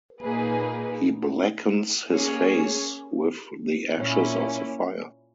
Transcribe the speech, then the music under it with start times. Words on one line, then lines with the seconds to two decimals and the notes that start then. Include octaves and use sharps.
He blackens his face with the ashes of the fire.
0.23 A#2 A#3 D#4 G#4 B4
2.11 A#3 C#4 G#4 C#5
3.98 A#2 A#3 C#4 E4